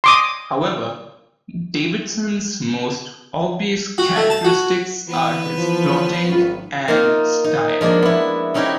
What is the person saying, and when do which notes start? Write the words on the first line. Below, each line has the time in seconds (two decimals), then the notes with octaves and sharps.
However, Davidson's most obvious characteristics are his plotting and style.
0.04 C6 D6 D#6
3.98 F#4
4.16 A3
4.30 A5
4.45 F#4
5.08 E3 B3 B4
5.58 F3
6.29 G#1 C#4 F4
6.88 A#3 D#4 F4
7.44 D#4
7.81 F3 G#3 A#3 D4
8.02 B3 E4
8.54 C3 C#4 D#4 E4 F#4 G4